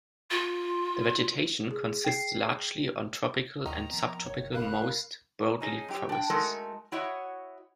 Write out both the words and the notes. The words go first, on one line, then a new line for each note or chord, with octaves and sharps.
The vegetation consists largely of tropical and subtropical moist broadleaf forests.
F4
G#4
G5 C7
D#2 D#3 A#5
F3 B3 C4
F#1 G#2 C#5
A#4 F5 B5 F#6
C#4 D#4 G#4
F#2 G4
D4 G5
G#3 A3 D#4 F#4 A4 A#4
E4 F#4 C#5 D#5 E5 F#5